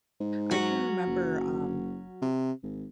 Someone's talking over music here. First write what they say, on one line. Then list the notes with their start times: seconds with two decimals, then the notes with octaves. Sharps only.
I can remember, um,
0.20 G#2
0.51 F#3 C#4 F#4
1.07 F#1
2.22 C3
2.63 G#1